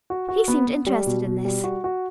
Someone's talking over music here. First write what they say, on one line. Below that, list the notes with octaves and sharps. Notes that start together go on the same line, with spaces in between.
He seemed interested in this.
F#4
F#4
B3
B3
G3
B2
B2
G3
F#4
F#4